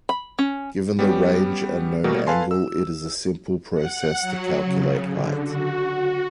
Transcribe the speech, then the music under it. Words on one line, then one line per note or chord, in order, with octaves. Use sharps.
Given the range and known angle it is a simple process to calculate height.
B5
C#4
G3 B3 C#4 G4
B2 G3 A3 A#3 F#4 A#4
A4 B4 F5 G#5 A5 C6
E6
F#5
F#3
C#3
D3
F#4